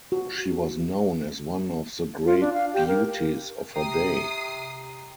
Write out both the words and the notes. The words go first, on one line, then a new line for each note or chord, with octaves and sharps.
She was known as one of the great beauties of her day.
F#4
F4
D4
F5
G4
A#4
C3 G5 A#5 D#6 C7